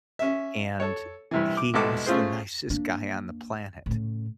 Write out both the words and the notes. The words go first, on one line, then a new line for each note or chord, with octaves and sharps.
and, he was the nicest guy on the planet,
C#4 E5
A4 C#5
G2 C3 E3
D6
C2 G#2 B2 A4 D6
A3 C#4 F4 G#4 C5
A#3 D4
A2 C#3